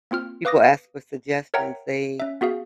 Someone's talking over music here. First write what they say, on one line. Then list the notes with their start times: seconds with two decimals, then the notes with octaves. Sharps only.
people ask for suggestions, they
0.11 A#3 C4 F4 F6
0.45 B4 F5 D6 D#6 A#6
1.54 A#4 C#5 E5 F#5 G5 A#5
2.20 C#4 E5
2.41 B3 F#4 G#4 F5